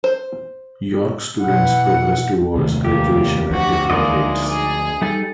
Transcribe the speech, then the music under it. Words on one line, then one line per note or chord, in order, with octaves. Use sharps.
York students progress toward graduation at different rates.
C5
B2 E3 F#5
D#2 C3 A3
A#3 G4
D2 D3 F3 F#4
G#3 A#3 D#4 D5 D#5
G#4
G3 D#4 A4